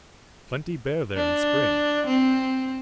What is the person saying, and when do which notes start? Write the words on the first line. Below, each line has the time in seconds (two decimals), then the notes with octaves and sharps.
"Plenty bear there in spring!"
1.16 D4
2.06 C4